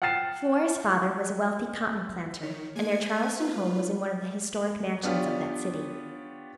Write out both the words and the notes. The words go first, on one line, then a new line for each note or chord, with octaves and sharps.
Flora's father was a wealthy cotton planter, and their Charleston home was in one of the historic mansions of that city.
F#5 G5 F6 A6 C7 E7
D#3 C#5
G#3 A#3 G#5 G#6
F4 B4
B3 D4 F4 G4 C#5